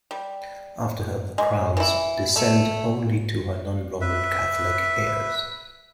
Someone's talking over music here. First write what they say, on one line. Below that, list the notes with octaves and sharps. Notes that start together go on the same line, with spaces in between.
After her the crowns would descend only to her non-Roman Catholic heirs.
G3
G#3
E3 E4
A3 A4
B4 E5